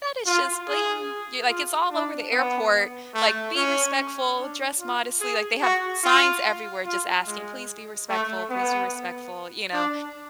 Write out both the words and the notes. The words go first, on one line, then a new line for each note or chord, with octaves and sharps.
"That is just blatant" ye like, "It's all over the airport," like, "Be respectful, dress modestly," like, "They have signs everywhere just asking, please be respectful, please be respectful," you know?
F4
G#4
F4
D4
B3
A3
C#4
D4
F4
G#4
F#4
F4
F4
G#3
A3
B3
D4